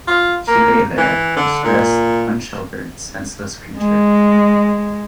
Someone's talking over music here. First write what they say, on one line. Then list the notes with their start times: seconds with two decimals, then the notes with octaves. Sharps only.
She lay there, a distressed, unsheltered, senseless creature.
0.08 F4
0.48 A#3
0.98 E3
1.36 D3
1.64 A#2
3.77 G#3